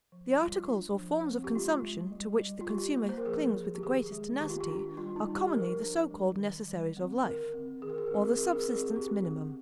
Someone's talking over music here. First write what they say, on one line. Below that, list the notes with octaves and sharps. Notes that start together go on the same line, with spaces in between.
The articles or forms of consumption to which the consumer clings with the greatest tenacity are commonly the so-called necessaries of life, or the subsistence minimum.
F3
G3 F4
D4
F3
C4
G4
G#3 F4
G#3
G3
G3
F4
G3 G4
A#3
C5
A#4
F3 G#4
F3
G4
D#3 G#4
G#3
D#3 G4
F4
G4
D4
G3 F4
D#4
G3
G4
F3 A#4
D4
G3
D#3
G3
C4
D3 A#4
C4
D#3 G#4
A#4
G#4
A#4
C4 G#4
A#4
G#4
C4 A#4
G#4
A#4
C4 G#4
C4 G4
C4